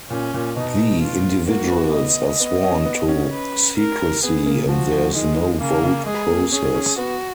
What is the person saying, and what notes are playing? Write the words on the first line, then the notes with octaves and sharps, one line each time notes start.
The individuals are sworn to secrecy and there is no vote process.
A#2 C#4
A#2
B2 D#4
F4
A#3 F#4
B3
D#5
B3
C#4
B3
C#4
B4
A#4
B3 G#4
A#3
F3 F#4
F3
D#3 G#3
C#3 A#3
C#3
G#3 G#4
A#3
C#4 G#4
C#4
B3 F#4